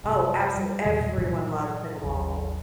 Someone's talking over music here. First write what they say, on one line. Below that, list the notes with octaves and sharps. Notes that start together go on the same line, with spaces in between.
Oh, absolu everyone loves pickleball.
F#1 G2 C3
G3
E2 G2 A#2 D#3
G2 A#2 E3 F#3
G#1 D#2 F#3